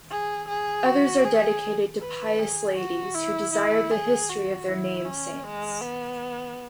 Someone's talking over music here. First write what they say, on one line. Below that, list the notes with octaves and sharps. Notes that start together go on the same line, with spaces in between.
Others are dedicated to pious ladies who desired the history of their name-saints.
G#4
G#4
F#4
G#4
B4
G#4
F#4
E4
E4
G#4
F#4
E4
C#4
G#3
B3